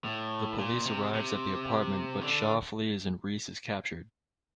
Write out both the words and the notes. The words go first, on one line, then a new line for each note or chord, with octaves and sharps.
The police arrives at the apartment but Shaw flees and Reese is captured.
A2
A#2
C3
C3
D3